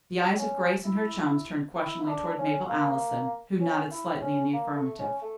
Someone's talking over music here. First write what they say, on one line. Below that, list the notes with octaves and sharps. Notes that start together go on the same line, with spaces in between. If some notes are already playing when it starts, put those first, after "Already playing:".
The eyes of Grace and her chums turned questioningly toward Mabel Allison, who nodded slightly in the affirmative.
C#4
E4
E4
E4
D4
C#4
A#3
C#4
E4
C#4
A#3
A3
C#4
A3